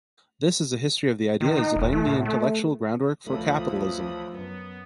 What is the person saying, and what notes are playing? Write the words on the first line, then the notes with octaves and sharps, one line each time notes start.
This is a history of the ideas laying the intellectual groundwork for capitalism.
D#3
D#4
E1
A3
A2
A3
D2 E3 F3 A3 C#5 B5 D#6
F#2 B3 B4